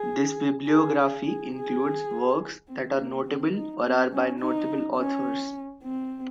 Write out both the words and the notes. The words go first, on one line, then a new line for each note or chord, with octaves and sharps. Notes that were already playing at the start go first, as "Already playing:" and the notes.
This bibliography includes works that are notable or are by notable authors.
Already playing: G#4
G#4
G#4
G#4
C4
A#3
C4
D#4
C4
C#4
D#4
C#4
C4